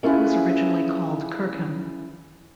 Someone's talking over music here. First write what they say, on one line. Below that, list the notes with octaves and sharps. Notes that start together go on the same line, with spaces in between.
It was originally called "Kirkham".
C#4 E4 F4 G#4 B4